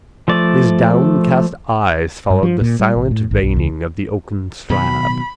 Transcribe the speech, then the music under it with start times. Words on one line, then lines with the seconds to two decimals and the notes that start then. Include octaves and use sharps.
His downcast eyes followed the silent veining of the oaken slab.
0.28 F3 A3 D5
2.30 G2
2.43 F3
2.61 A#2
2.80 G3
2.96 A1
3.11 A2
3.31 G#1
3.43 B1
3.56 C#2
4.70 B2 D#3 F#3 B5